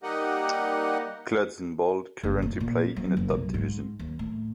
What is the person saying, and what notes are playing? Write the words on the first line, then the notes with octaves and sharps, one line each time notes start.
Clubs in Bold currently play in the top division.
G3 A#3 D#4 G4 D#5 F#5
F#1
A2
A#2
F#3
F#1
B1
G#2
D#2
A2